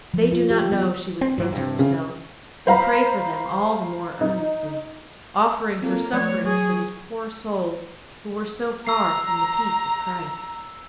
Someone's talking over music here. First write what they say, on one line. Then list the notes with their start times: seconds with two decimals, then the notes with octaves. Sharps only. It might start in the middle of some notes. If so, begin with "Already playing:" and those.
"They do not know," she would say to herself, and pray for them all the more earnestly, offering her sufferings for these poor souls who were so far from the peace of Christ.
0.14 F3
0.32 F4
0.50 G4
0.72 B3
1.21 C4
1.38 G#2 E3 F#3
1.53 G2 C3
1.79 C#3
2.67 C5 F5 A#5 B5
4.21 D#4
5.82 A#3 C4 F4 A4
6.13 F3 A3 C#5 D5
6.44 F#3 G#4 C#6
8.87 A#5 E6 C7